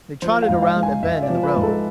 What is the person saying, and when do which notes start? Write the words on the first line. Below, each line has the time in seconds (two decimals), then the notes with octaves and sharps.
They trotted around a bend in the road.
0.22 F3 C5
0.42 F5
0.49 G#2
0.62 F5
0.76 G#3
0.83 G#5
1.03 G#2 E5
1.23 D5
1.30 F3
1.43 B4
1.57 G#2
1.63 A4